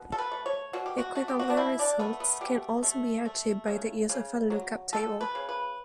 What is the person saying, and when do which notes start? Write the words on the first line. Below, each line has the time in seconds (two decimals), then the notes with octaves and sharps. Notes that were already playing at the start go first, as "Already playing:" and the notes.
Equivalent results can also be achieved by the use of a look-up table.
Already playing: B2
0.12 A4
0.18 B4
0.31 A3
0.46 C#5
0.73 B2 F#4
0.86 G4
0.98 F#4
1.15 A3 F#4
1.28 G4
1.39 F#4
1.50 D4
1.57 B2 E4
1.79 D4
1.99 A3 B3
2.20 B3
2.41 B2 G4
2.83 A3
3.25 A3
3.68 C#3
4.09 C#3
4.50 F#3
4.93 A3 A4
5.21 B4
5.35 C#3
5.49 B4